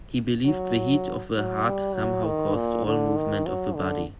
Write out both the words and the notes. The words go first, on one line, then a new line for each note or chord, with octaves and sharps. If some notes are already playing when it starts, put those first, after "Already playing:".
He believed the heat of the heart somehow caused all movement of the body.
F#3
F#3
G3
F#3
D#3
A#2
D3
D#3
F#3
D3